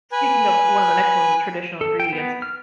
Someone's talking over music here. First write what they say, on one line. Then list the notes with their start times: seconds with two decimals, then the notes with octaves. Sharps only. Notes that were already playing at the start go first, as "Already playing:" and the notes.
speaking of one of the next ones, the traditional ingredients.
0.12 B4 G#5
1.81 A4
2.00 G5
2.13 B3
2.42 F6